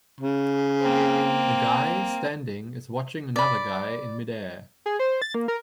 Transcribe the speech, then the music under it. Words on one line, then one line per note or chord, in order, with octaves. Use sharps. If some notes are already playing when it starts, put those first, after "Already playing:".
A guy standing is watching another guy in midair.
C#3
A#3 C4
D5 B5
G#4
C5
A6
A#3
A#4